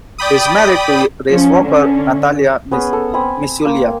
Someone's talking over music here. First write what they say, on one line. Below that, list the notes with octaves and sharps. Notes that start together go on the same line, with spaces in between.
He is married to racewalker Natalya Misyulya.
D5 G5 B5 D#6
F3 C#4
D3 C#4
B3 C#4 G#4 B4
A4
C4 G#5 B5
A#3 A#4